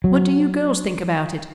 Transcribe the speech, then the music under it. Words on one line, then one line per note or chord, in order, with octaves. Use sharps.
"What do you girls think about it?"
F#3